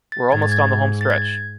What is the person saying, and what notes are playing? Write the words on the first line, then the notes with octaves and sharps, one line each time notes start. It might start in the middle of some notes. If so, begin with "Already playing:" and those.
We're almost on the home stretch.
A6
G#2 G#6
A6
G#6
A6
G#6